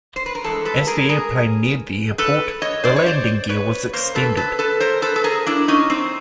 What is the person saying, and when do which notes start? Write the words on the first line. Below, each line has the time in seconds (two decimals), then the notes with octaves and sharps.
As the airplane neared the airport, the landing gear was extended.
0.16 C5
0.26 B4
0.35 A#4
0.44 G2 E3 G#3 A4
0.65 A4 B4
0.87 G#4 A#4
1.09 G#4 A#4
2.18 A4 B4
2.62 C#5 D#5
2.84 C5 D5
2.96 C#5
3.06 C5 D5
3.49 B4 C#5
3.93 C#3 F3 A#3 A#4 C5
4.15 A4 B4
4.37 A4 B4
4.59 A4 B4
4.80 A#4 C5
5.02 A4 B4
5.16 A4
5.24 G#4 A#4
5.46 D4 E4
5.68 C#4 D#4
5.90 C4